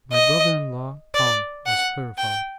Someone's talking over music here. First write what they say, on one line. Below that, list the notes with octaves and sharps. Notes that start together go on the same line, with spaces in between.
My brother-in-law, Tom, was her father.'
D#5
D5
F#5
G5